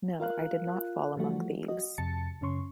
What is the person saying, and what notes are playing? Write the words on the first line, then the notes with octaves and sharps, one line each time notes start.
No, I did not fall among thieves.
F4 A#4 F5 F#6
E3 F3 G3 A3 F#4
F#4 D#5
F2 C3 A5 A6 C#7
F#2 C#3 C#4 C6 C#6